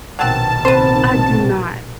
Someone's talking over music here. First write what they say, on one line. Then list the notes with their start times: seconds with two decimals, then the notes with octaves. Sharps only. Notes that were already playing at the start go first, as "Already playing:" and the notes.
I do not.
0.19 A#1 B2 D#3 F#3 C4 A5
0.65 C3 C4 B4 C5